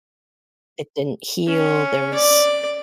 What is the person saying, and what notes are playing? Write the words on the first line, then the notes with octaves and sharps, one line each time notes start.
It didn't heal, there was
C#4
D5